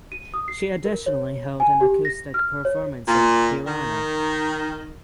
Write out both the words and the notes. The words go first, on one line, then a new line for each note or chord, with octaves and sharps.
She additionally held an acoustic performance in Tirana.
D#7
D#6
C7
A#4
C#5
G#5
G4
A#6
F6
C#5
A#2
D#3